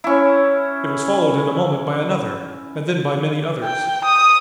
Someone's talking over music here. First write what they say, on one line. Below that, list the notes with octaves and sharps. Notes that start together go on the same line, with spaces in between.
It was followed in a moment by another and then by many others.
C#4 E4
G5
D#6